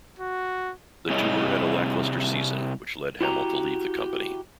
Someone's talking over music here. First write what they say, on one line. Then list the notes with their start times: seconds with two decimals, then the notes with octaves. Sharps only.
The tour had a lackluster season which led Hamill to leave the company.
0.19 F#4
1.10 C3 G3 E4 G#4 C#5 D#5
3.21 E4 F#4 G4 F#5 A#5